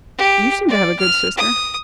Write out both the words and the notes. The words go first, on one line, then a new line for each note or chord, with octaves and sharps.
'You seem to have a good sister.'
G4
D5
F6
D#6